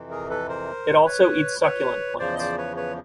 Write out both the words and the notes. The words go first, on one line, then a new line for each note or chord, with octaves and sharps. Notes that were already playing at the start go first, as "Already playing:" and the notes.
It also eats succulent plants.
Already playing: F2 C3 E3
G#4 A#4
A4 B4
A#4 C5
B4 C#5
B4 C#5
E2 C#3 F3 C5 D5
D#5
C5 D5
B4 C#5
B4 C#5